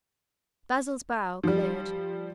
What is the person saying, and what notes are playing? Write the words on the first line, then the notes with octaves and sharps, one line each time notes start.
Basil's brow cleared.
F3 G3